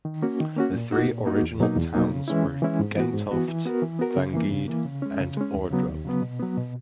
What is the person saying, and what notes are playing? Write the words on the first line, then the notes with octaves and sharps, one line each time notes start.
The three original towns were Gentofte, Vangede and Ordrup.
D#3
A#3 C#4 F#4
D#3
A#3 C#4 F#4
A#2
A#3 D#4 F#4
A#2
A#3 D#4 F#4
E2
B2 F#3 A#3 D#4
E2
B2 F#3 A#3 D#4
C#3
E3 G#3 C#4 E4
C#3
E3 G#3 C#4 E4
G#2
E3 B3 F#4
G#2
E3 B3 F#4
E3
B3 F#4 A#4
E3
B3 F#4 A#4
C#3
E3 A#3
C#3
E3 A#3
C#3
G#3 C#4
C#3
G#3 C#4
D#2
C#3 F#3 B3
D#2
C#3 F#3 B3
B2
F#3 B3
B2